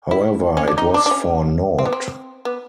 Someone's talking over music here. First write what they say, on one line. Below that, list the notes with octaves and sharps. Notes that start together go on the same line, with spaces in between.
However, it was for naught.
E4
C#4
D4
D#4
D4
D4
C#4
C4
B3
C4
B3